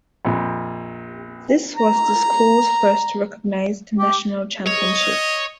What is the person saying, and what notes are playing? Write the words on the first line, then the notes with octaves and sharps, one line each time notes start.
This was the school's first recognized national championship.
A#1 F2
A#5
G4
C#5 D#5